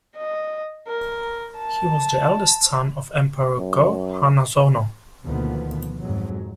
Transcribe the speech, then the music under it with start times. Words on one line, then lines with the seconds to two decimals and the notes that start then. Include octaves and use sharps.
He was the eldest son of Emperor Go-Hanazono.
0.18 D#5
0.88 A#4
1.58 A5
3.58 F#2
5.24 D2 B2 D#3 F3 A#3 B3
6.01 F2 G#2 F#3